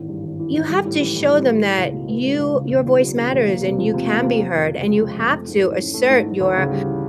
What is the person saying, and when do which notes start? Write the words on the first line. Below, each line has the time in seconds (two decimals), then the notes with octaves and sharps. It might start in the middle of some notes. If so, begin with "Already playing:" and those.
you have to show them that you your voice matters, and you can be heard, and you have to assert your
Already playing: G#1 A2 E3
0.08 G2
0.24 G#1
0.39 E3
0.54 G#1
0.70 G3
0.85 A2
1.01 E3
1.16 A2
1.32 G3
1.47 A2
1.63 G#3
1.78 C#2
1.93 B2
2.09 B3
2.24 G#3
2.39 C#2
2.55 C#3
2.70 E1
2.86 E2
3.01 F#3
3.17 C#3
3.32 E1
3.48 A#3
3.63 C3
3.78 F3
3.94 C3
4.09 A#3
4.24 C3
4.40 F3
4.56 F2
4.71 C#3
4.87 G#3
5.02 F3
5.17 F2
5.32 A3
5.48 G#2
5.64 E3
5.79 C#4
5.94 A3
6.10 G#2
6.25 E3
6.40 D2
6.56 C#3
6.71 G3
6.87 E3